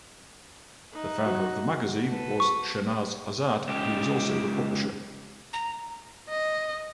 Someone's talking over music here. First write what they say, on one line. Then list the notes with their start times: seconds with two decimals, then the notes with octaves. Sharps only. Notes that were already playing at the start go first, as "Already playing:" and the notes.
The founder of the magazine was Shahnaz Azad who was also the publisher.
0.93 D#4 E5 F#6
1.26 F#4
2.07 A4 B4
2.40 C#6
3.68 C#2 G4
5.53 A#5
6.29 D#5